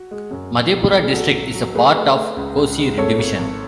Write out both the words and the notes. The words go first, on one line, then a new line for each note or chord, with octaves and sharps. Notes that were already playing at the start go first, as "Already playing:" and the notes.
Madhepura district is a part of Kosi division.
Already playing: F#4
G#3
F#2
F#3
B1
A3
G#4
B1 F#4 A4
F#3
F#3
A3 G#4 B4
A3
A3
C#2
C#2
G#3
G#1 A4 C#5
G#1
G#1